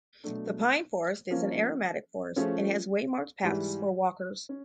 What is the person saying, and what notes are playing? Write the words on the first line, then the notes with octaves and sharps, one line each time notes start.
The pine forest is an aromatic forest and has waymarked paths for walkers.
B2 F#3 A3 D4
F3 A#3 C#4
F3 A3 C#4 F4 G#4
G#2 E3 G3
C#4